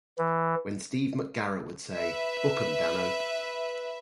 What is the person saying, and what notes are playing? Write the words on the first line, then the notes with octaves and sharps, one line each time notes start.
When Steve McGarrett would say, Book 'em Dano!
E3
B4 E5